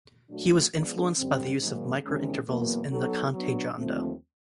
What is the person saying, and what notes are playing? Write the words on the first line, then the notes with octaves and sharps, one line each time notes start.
He was influenced by the use of microintervals in the "cante jondo".
A#2 F#3 A3 D4 F#4
F3 G#3 B3 D4
F#2 D3 G3 C4
G#2 D#3 F#3 A#3
E2 C3 D#3 G#3 C#4
E2 B2 F#3 A#3
F#3 B3 D#4 F#4 A4
F#3 B3 D4
D#2 D3 F3 A3 C4